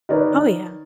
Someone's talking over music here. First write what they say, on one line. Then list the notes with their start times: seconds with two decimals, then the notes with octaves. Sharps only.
Oh, yeah.
0.09 D#3 D#4 A#4 B4 C#5 D5